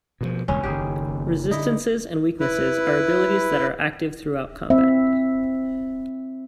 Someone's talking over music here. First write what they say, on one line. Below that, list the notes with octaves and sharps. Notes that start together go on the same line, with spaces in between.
Resistances and weaknesses are abilities that are active throughout combat.
B2 D3 F3
E1 C#2 C#4
F#1 D#3 G4 G#4
D3 D#4 E4
E4 B4
C4 E5